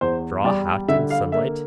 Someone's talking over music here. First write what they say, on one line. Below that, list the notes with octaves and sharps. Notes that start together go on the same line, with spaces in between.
Straw hat in sunlight.
E2 C5
G3 D5
D3 E5
F5
A#3 E5